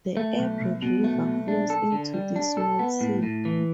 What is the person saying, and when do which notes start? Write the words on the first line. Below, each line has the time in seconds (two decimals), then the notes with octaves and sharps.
The Ebro River flows into this small sea.
0.17 A3
0.39 B1
0.61 B1
0.82 B2
1.04 A3
1.26 B1
1.48 D4
1.70 A4
1.92 D3
2.14 G3
2.36 D4
2.57 A4
2.79 B3
3.01 A2
3.23 A2
3.45 E3